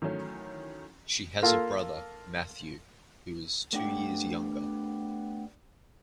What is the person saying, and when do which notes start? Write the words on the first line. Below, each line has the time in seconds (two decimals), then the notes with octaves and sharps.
She has a brother, Matthew, who is two years younger.
0.02 D#3 E3 F#3 A3 C#4
1.42 A#3 F4 A4
3.73 A3 B3 D4 G4